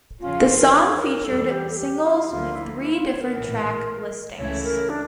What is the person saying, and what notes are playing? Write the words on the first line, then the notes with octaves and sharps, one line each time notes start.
The song featured singles with three different track listings.
E2 C#3 F3 C#4 F4
A#4
C#5
A#4
E2 E3 G3 A4
G4
A4
G4
F4
D2 D3 F3 A#3 F4
E4
E4
F4
C#5
A#4
A#1 A2 E3
C#2 C#3 E3 A3 E4 C#5
A#4
D4